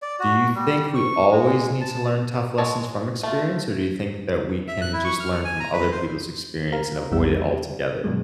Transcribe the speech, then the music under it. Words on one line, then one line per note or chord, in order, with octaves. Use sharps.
do you think we always need to learn tough lessons from experience, or do you think that we can just learn from other people's experience and avoid it altogether?
D5
F#4
G3
C#6
G#3
A5
G#3 F#4 C#5 A5
A3 F4
E5
F#6
E4
C#6
F6
G#5
A#5
B4
C5
G4 A#4 F5 A#5
B1 F2 G3 B3 E6
E2 G3
G4
G2 B2 D3 F#3 G#3